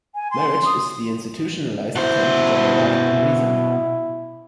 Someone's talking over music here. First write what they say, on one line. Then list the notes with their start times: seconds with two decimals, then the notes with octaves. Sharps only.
Marriage is the institutionalized attempt to juggle love and reason.
0.15 G#5
0.31 C6
0.66 D#6
1.96 B2 E4 C5